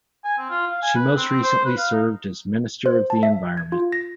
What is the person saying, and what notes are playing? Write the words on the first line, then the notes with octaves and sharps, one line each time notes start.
She most recently served as Minister of the Environment.
G#5
C4
F4
F5
G#5
B4
C4
C4
C5
B4
F5
D#4
C5
A5
E5
G#6
F4
A#6